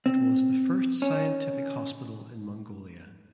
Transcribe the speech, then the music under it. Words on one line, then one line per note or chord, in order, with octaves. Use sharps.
It was the first scientific hospital in Mongolia.
C4
C#4